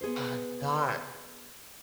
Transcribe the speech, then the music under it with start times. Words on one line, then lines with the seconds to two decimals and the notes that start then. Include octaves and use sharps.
Uh, not,
0.01 B3 G#4 B4 C5